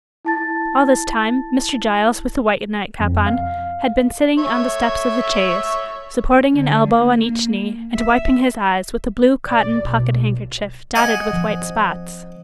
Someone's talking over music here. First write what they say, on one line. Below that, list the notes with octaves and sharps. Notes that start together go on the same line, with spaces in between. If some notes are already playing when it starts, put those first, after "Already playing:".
All this time, Mr. Giles, with the white nightcap on, had been sitting on the steps of the chaise, supporting an elbow on each knee, and wiping his eyes with a blue cotton pocket-handkerchief dotted with white spots.
E4 A5 A6
F2
F5
C#5 E5
D3
A#3
E5
D5
B1
D#5 F#5 G#5
F3